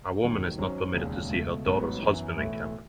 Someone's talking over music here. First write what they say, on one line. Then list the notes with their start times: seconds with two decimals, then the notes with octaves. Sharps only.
A woman is not permitted to see her daughter's husband in camp.
0.22 E1 D#2 D#3 F#3
0.57 G#1 G#2 F#3 C#4
0.94 E1 D#2 C#3
1.29 C#2 B2 A3
1.65 A1 G#2 F#3 B3
2.01 F#2 E3 B3
2.37 B1 A2 E3 A3 E4